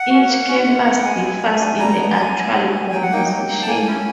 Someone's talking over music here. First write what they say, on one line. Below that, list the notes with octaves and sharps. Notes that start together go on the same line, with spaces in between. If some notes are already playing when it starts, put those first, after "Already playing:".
Each campus differs in the actual composition.
Already playing: F#5
C#4 F#4
A#3
C#4 F#4
G#3
B3 E4
G5
G#3 G#5
B3 E4
G3
B3 D4
G3 A#5
B3 D4
B3 G#5
E4
B3
E4
F#3 G5
F#5
A#3 D#4 G5
F#3
A#3 D#4
A5
A#3 G#5
C#4 E4